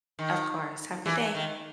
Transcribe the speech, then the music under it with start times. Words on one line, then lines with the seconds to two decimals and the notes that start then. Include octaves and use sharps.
Of course. Have a good day.
0.19 D#3
1.06 E3
1.35 D#3